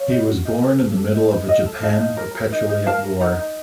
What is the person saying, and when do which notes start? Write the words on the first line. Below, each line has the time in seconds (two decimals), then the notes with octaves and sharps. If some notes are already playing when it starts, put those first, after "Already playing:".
He was born in the middle of a Japan perpetually at war.
Already playing: C#5 F5
0.10 D#4
0.27 F#4
0.45 D#4
0.63 A4
0.80 A4
0.96 A4
1.14 D#4
1.32 D#4
1.48 A4 D#5 F#5
1.66 A4
1.82 D#4 F5 A5
2.01 D#4
2.17 A#4
2.35 A#4
2.52 D#4
2.69 D#4
2.86 A#4 F5 A5
3.04 A#4
3.21 D#4 F#5 A#5
3.39 D#4